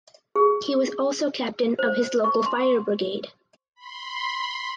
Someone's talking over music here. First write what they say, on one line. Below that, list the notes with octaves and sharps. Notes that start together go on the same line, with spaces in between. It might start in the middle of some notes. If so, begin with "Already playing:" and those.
He was also Captain of his local Fire Brigade.
G#4
C5
C#6
C6
B5 C6